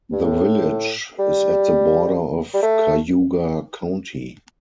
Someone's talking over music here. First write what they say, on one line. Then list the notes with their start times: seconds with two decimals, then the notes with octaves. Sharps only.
The village is at the border of Cayuga County.
0.12 G2
0.24 A2
1.19 G3
2.54 G3
2.62 A3